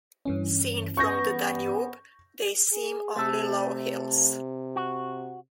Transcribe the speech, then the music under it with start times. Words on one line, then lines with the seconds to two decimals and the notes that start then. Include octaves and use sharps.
Seen from the Danube, they seem only low hills.
0.25 G2 E3 C#4
0.97 B3 C#6 G6 A#6
2.73 G#4
3.16 C3 A3 A4
4.76 F#4